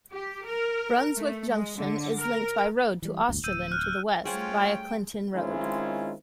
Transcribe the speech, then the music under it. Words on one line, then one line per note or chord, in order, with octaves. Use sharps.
Brunswick Junction is linked by road to Australind to the west via Clifton Road.
G4
A#4
A3
G#3
D3
A#4
E3 G3
G1 D2
D1 E6 G6 D#7
F6 F#6
G3 A3 C#4 F4 G#4 C5 F#5 G5
D#3 G#3 C4 C#4 E4 F4